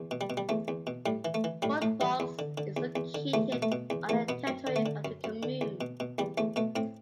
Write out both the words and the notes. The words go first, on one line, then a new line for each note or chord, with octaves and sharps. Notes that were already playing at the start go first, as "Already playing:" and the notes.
Fort Vaux is located on the territory of the commune.
Already playing: E2
B2
G3
B2
G3
E2 A3
E2
B2
A2 G3
E3
A3
E3
A2 G3
A2 A3
E3 G3
E2
D3
D3
E2
E2
D3
E2 A3
B2
A3
B2
E2
E2 A3
B2 B3
F#2 C4
D3
A3
D3
F#2
F#2
D3
E2
B2
B2
E2 G3
E2 A3
B2 A3
A2 C4